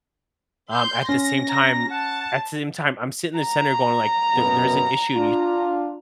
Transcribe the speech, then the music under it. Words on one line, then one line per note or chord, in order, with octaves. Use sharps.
Um, at the same time at the same time, I'm sitting in the center going like, there there's an issue and you
C6 G6
C#4 A#6
A#5
F#5 A5
A#5
F#2 B2 B3
D4 F4